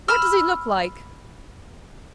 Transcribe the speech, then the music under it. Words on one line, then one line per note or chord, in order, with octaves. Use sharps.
What does he look like?'
B5 E6 F6